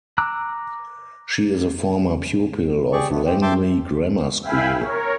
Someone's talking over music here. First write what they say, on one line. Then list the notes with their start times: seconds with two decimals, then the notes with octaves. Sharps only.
She is a former pupil of Langley Grammar School.
0.18 A#5 D6 E6 F#6
2.92 G4 G#4 D5 C#6
3.11 F2 A3 B3
3.25 E3 C4 G4
3.42 E5 G5 A5 C6 D6
4.42 E5 F5 G5 G#5 B5
4.80 A#4 C#5